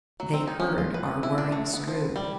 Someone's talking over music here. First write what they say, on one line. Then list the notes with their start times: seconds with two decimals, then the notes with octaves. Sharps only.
They heard our whirring screw.
0.20 F#3
0.33 C4
0.47 D#4
0.60 C#4
0.78 F4
0.94 B4
1.23 E4
1.38 D4
1.52 A3
1.74 B3
1.88 F3
2.16 G3